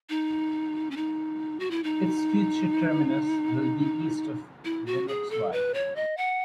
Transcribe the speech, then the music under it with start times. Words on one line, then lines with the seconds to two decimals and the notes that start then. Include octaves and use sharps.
Its future terminus will be east of Lennoxville.
0.09 D#4
0.91 C#4
0.96 D#4
1.60 F#4
1.71 E4
1.84 D#4
4.65 E4
4.86 F#4
5.08 G#4
5.30 A4
5.52 B4
5.74 C#5
5.96 D#5
6.17 F#5